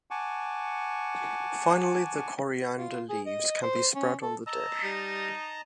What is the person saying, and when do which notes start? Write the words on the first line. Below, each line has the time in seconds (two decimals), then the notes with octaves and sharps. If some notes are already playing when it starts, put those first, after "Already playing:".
Finally the coriander leaves can be spread on the dish.
0.11 F#5 G#5 A5 C#6 D6
2.78 F4
3.09 G#4
3.26 D#5
3.63 C5
3.95 C#4
4.22 A4
4.46 D#5 A5 A#5 E6
4.83 G3 D#4